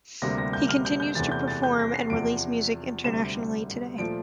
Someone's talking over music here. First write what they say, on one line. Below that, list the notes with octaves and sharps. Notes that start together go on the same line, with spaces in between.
He continues to perform and release music internationally today.
D2 C3 G3 A#3 A#6
A#6
G6
F6
G6
G6
E2 C3 E3 A3 A6
G6
A6
G6
A#6
C7
E2 C3 F3 D7
D2 C3 G3 E7
A#2 F3 A3 D7